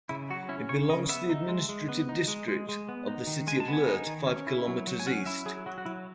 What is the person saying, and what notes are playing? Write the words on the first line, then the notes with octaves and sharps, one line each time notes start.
It belongs to the administrative district of the city of Lehrte, five kilometres east.
C#3 E4
F#3 F#4
C#4 E4
C#3 C#5
C#3 D#5
B3 E5
D#4
G#3
G#3
B3
D#4
G#3
G#3
G#3
B3
D#4
D#3
G#3 G#5
A5
B3
G#5
D#4
D#3
C#4
E4
F#3
F#3
G#5
C#4 F#5
E4 E5
F#3 G#4
F#3 F#4
F#4
F#3 E4